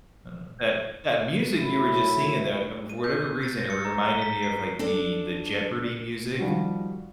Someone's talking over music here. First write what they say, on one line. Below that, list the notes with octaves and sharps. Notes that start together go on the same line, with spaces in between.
I know. That that music you were just singing, though, you um, for whatever reason, it re reminded me of, like, the the Jeopardy music.
A2 F#3 E4
D#7
G6
E6
A6
A#6
C#7
A#5
G7
B6
C7
D4 A4 D5
D#3 F3 G3 F#4